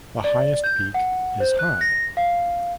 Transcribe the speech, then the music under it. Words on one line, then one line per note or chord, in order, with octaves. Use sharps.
The highest peak is high.
D5
G6
F#5
C5
F#6
A#6
F5